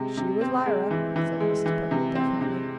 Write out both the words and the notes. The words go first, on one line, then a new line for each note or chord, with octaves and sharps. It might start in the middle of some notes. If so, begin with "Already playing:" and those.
"She was Lyra," said Mrs. Putney definitely.
Already playing: C3 G#3
C3
C4
G#3
E3
E3
G#3
E3
C3
C4
C3